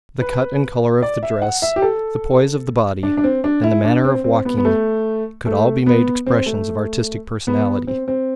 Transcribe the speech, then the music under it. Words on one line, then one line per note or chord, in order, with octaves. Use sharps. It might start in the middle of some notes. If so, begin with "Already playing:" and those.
The cut and color of the dress, the poise of the body, and the manner of walking could all be made expressions of artistic personality.
B4
D5
E5
F#5
E5
G4
A4
D4
D4
C4
D4
E4
D4
C4
C4
B3
B3
A3
A3
B3
C4
A3
B3
C4
C4